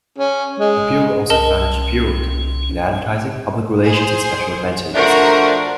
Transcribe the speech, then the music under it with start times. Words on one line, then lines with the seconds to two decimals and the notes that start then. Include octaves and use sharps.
Shapiro also founded "Shapiro and Company", an advertising, public relations and special events agency.
0.18 C#4
0.59 G#3
1.30 C2 C#4 A#4 D#5 A5
3.84 G#4 C5
4.94 F3 A3 D4 F#4 A#4